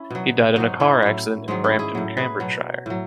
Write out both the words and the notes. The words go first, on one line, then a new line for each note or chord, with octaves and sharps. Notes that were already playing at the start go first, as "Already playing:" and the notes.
He died in a car accident in Brampton, Cambridgeshire.
Already playing: C#4 E4
B2 F#3
G#2 F#3 D#4 F#4
C#4 E4
A2 F#3
G#2 D#3 F#3 G#3
C#4 E4
E4 G#4
A2 F#3
G#4 B4
B2 F#3
A2 F#3